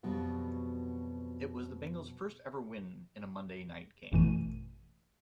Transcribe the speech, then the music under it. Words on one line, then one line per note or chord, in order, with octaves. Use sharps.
It was the Bengals' first ever win in a Monday night game.
F2 B2 F#3 G3 B3
A1 F#2 B2 E3 A3 D#7